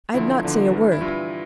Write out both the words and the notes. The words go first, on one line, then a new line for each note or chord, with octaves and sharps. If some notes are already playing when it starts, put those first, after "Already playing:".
I'd not say a word.
E2 D3 F3 E4
E2 D3 F3
G2 E3
E4
G2 E3 F4